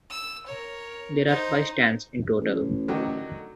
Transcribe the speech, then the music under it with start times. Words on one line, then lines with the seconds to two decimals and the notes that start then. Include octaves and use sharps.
There are five stands in total.
0.10 E6
0.47 A#4 C#5
1.28 D#4 C5
2.40 A1
2.88 D3 D#3 F#3